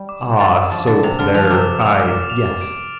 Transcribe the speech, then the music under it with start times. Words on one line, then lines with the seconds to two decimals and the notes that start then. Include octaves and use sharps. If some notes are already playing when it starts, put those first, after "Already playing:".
Ah soap there I yes.
Already playing: G3
0.09 D6
0.25 D6
0.40 G3 A6
0.56 D6
0.71 F3 A6
0.87 D3 A6
1.03 C3 F7
1.19 D3 F6
1.34 F3 F7
1.51 C3 D6
1.67 D6
1.82 F7
1.98 D6
2.14 D6
2.30 F7
2.45 A6
2.61 D7
2.77 D7